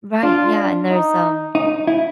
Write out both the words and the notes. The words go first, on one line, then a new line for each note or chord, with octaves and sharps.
Right, yeah, and there's, um
D4 F4
D#4
D#4
E4